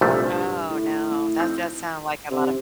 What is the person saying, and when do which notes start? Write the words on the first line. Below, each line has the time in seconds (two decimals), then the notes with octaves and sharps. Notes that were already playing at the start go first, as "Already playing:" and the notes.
Oh, no. That does sound like a lot of
0.01 C2 G2 A#2 F3 A3
0.13 F2
0.25 G2
0.70 A2
1.39 F3 C4 D#4
2.31 C3